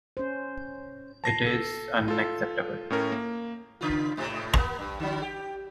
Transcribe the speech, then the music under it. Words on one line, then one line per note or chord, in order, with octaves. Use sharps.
It is unacceptable.
C#4 C5
A5 A#6 C7
A4
F4 A4
A2 C#4 A#4
A#3
C#3 F4
G#2 C3
A#3 B3
G2
D3 F#3
G4